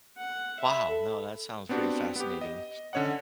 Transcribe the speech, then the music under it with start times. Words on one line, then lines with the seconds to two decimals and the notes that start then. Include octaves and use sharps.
Wow. No, that sounds pretty fascinating.
0.18 F#5
0.60 E5 B5
0.89 A4
1.69 B3 C4 D4 F#4 G4
2.16 B3 G4
2.41 D#5
2.93 D3 C#4 C#5 D#5 F#5